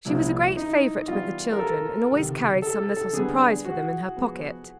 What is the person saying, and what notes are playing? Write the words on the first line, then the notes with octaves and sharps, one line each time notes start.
She was a great favourite with the children, and always carried some little surprise for them in her pocket.
C2 A#2 F3 E4
D#4
E3 G3 B3 F4
A#4
A4
C#2 C3 D#3
A4
A4
A4
D3 G3 B3 G#4
F#4
F3 G#3 B3